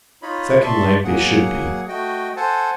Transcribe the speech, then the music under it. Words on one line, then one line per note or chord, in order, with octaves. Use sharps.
Secondleg they should be.
D#4 F4 C#5 D#5 B5
D5 E5 A5 C6 C#6
F#3 A#3 G#4 F#5
A3 F#4 D#5 G5
A4 C5 F#5 G#5 A5